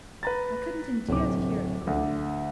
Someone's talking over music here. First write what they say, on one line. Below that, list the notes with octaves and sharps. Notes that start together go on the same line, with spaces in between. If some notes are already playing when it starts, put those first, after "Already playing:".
I couldn't endure to hear it from you.
B4 A#5 A6
D1 C3 D6
D2